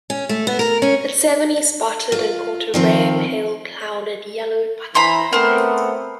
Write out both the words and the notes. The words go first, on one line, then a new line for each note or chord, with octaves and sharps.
At seven he spotted and caught a rare pale clouded yellow butterfly.
C#4
A3
B3
A#4
C#4
F4
D#3 F3 C4
E3 C5 A#5 B5
A3 B3 C4 A#4 C5